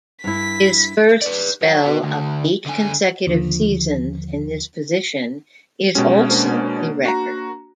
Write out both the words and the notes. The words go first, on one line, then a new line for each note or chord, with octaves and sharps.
His first spell of eight consecutive seasons in this position is also a record.
G2 E4 B6
B4 D5
C#5 F#5
F#4 B4
D2
D3 G#5
D#2 D3 F3
B2 G#3 C#4 G4
A#3 D4 C5
F#4 A#5